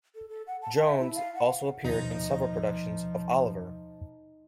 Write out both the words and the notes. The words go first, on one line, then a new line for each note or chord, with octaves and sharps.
Jones also appeared in several productions of Oliver!
A4
A4
F#5
A5
A5
E5
E4
F5
F#5
D#2 B2 F3 D#4